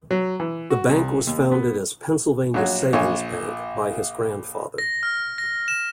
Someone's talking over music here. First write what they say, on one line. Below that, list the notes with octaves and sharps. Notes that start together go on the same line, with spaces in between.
The bank was founded as Pennsylvania Savings Bank, by his grandfather.
F#3
E3
F#4
C2
D#2
B3
A#1 F#3 F#4
A#1 C#5 G#5
A#6
F6
A#6
E7